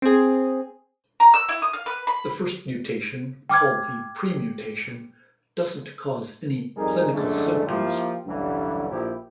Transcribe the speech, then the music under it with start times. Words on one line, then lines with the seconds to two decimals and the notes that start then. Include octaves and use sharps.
The first mutation, called the 'premutation', doesn't cause any clinical symptoms.
0.02 C4 G#4
1.20 A#5
1.34 E6
1.49 E4
1.62 D#6
1.73 F5
1.86 B4
2.07 B5
3.49 G5 D6 F6 G#6
6.77 G#1 F2 G3 D#4 G#4 A#4
7.13 F#2 A2 D3 G#3 A3 D4
7.67 F3 A#3 E4 F4 G4
8.26 A1 D2 G2 E3 F#3 G3
8.90 A#1 A#2 F3 E4 G4